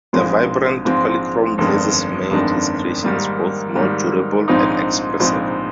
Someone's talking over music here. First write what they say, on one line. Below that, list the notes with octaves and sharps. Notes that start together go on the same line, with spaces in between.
The vibrant, polychrome glazes made his creations both more durable and expressive.
A#1 G#2 F3 G#3 C4
A#1 G#2 F3 G#3 C4
G1 F2 D#3 G#3 D4
G1 F2 D#3 G#3 D4
G#2 D#3 G3 A#3
G#2 D#3 G3 A#3
A#1 G#2 F3 C4 D#4
A#1 G#2 F3 C4 D#4